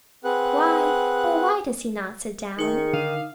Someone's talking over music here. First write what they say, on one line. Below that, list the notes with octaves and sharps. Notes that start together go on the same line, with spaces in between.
Why, oh, why does he not sit down?
C4 G#4 B4 F#5 F#6
D#3 D#4 G#4 C#7
D3 F5